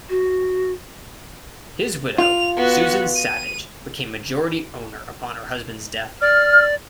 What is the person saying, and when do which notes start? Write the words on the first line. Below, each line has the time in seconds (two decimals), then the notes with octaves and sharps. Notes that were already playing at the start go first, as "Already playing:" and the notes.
His widow, Susan Savage, became majority owner upon her husband's death.
0.10 F#4
2.18 F4 F7
2.56 B3 F#4
3.16 D#7
6.22 D5 F6